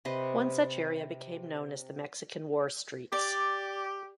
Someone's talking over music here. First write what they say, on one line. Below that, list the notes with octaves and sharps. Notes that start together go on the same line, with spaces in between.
One such area became known as The Mexican War Streets.
C3 B4 C5 D#5
G4 D5